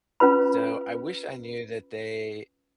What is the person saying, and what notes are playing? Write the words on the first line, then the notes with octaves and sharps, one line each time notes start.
So, I wish I knew that they
C#4 F4 B4 B5